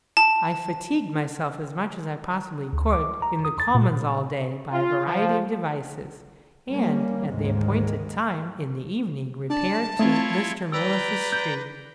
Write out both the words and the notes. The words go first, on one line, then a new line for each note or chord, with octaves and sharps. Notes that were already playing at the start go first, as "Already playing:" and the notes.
I fatigued myself as much as I possibly could in the Commons all day, by a variety of devices, and at the appointed time in the evening repaired to Mr. Mills's street.
A5
D2
D6
A#5
D#6
A6
A#2
F4
F3
G3 A#3 C#4
D2 G#2 D#3 G#3 A#3
D4 D5 A5
A3 C4 E4 F4 C#5
B4 D5 G5 A#5 E6
G6